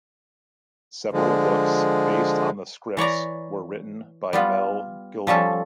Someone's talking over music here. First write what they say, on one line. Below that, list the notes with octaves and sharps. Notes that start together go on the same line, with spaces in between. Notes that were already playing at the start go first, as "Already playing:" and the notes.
Several books based on the scripts were written by Mel Gilden.
D3 F3 G#3
E3 C#5 D5 A#5
G3 B3 F4
F3 G3 C#4 A4